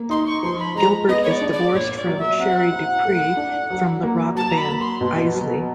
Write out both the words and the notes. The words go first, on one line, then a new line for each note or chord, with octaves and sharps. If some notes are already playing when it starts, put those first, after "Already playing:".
Gilbert is divorced from Sherri DuPree from the rock band Eisley.
Already playing: A#3
D#4 C6
C#6
F3 C6
B5
G#3 A#5
B3 D#5
C#5
D5
D4
D5
A#2 C#5
D5
F#3
E5
C4 F#5
E4
A3
D4
F#3
A#3
F#3 A5
A#5
B5
A#3
C6
B2
F#3